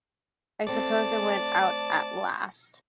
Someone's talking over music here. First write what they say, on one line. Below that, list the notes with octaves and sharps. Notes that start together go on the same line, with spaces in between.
I suppose it went out at last.
A3 C4 D5 A5